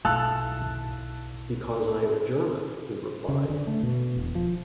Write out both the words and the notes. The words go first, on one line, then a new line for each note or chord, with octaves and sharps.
"Because I am a German", he replied.
B1 E4 A4 F5 A5 E6 F#6
C#3
D3
A3
B2
E1
F3